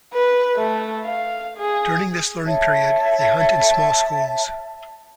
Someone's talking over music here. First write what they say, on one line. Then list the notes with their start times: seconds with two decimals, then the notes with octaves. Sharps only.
During this learning period, they hunt in small schools.
0.13 B4
0.57 A3
1.04 F5
1.57 G#4
2.46 C#5 E5 A5